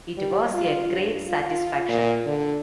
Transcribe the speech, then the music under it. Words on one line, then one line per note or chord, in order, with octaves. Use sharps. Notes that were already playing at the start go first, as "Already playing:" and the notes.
It was a great satisfaction.
G3
F4
G2
F4
A#2
D3